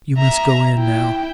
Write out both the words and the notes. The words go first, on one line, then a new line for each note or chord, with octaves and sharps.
"You must go in now!"
E5 A#5
E4 G5